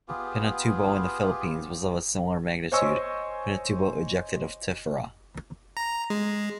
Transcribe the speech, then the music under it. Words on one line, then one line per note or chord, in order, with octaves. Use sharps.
Pinatubo in the Philippines was of a similar magnitude; Pinatubo ejected of tephra.
B3 F4 G4 G#4
C5 C#5 D#5 G#5 C#6 E6
A#5
G#3